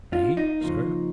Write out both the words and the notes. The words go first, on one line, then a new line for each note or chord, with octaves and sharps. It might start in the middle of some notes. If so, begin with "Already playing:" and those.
"Me, sir?"
F4
D#4
C#3 F3 A#3